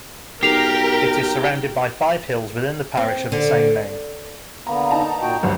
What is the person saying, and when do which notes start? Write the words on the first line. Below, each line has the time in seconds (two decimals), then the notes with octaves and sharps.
It is surrounded by five hills within the parish of the same name.
0.43 B1 G4 A#4 C7 F7
2.97 C4
3.32 D3
4.67 D3 A#3 B3 A#5
4.91 D#4 A5 A#5
5.22 A#2 F#4 G5
5.43 G#1 D2 G2 F#3